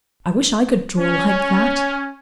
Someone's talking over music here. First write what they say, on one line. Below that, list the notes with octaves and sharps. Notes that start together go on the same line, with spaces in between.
I wish I could draw like that.
C#4